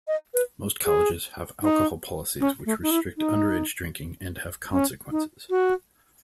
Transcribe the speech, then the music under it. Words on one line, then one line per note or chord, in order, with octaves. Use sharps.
Most colleges have alcohol policies which restrict underage drinking and have consequences.
D#5
B4
G#4
D#4
C#4
A3
D#4
E4
D#4
C#4
D#4
F#4